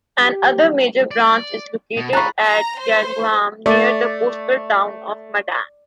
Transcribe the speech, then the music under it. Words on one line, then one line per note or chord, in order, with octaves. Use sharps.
Another major branch is located at Yagaum, near the coastal town of Madang.
G4
D5
B2
F4 G#4 A#5 B5 C#6 F#6 A6
A#5
C5
A3 D5